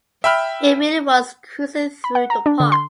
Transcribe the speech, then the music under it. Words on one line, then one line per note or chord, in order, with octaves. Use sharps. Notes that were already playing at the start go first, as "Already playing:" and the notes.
It really was cruising through the park.
E5 G5 B5 F6
B5
F#5
A#5
D4
D3
C6